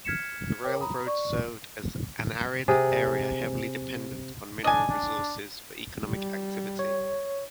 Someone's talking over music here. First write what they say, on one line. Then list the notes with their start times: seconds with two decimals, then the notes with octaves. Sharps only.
The railroad served an arid area heavily dependent on mineral resources for economic activity.
0.05 F6 G#6 B6 C#7 E7
0.63 A#4 C#5 G5 D6
0.81 A#5 B5 D#6
1.07 D5 C#6
2.68 C3 G#4
4.64 D4 D#5 G#5
4.89 D4
6.07 G3
6.79 C#5